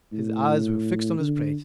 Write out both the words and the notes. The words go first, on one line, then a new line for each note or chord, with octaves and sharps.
His eyes were fixed on his plate.
A2
D3